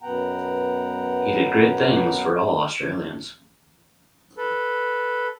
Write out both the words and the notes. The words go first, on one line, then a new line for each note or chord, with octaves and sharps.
He did great things for all Australians.
F#2 B2 B3 F#5 G5 A#5
A4 B4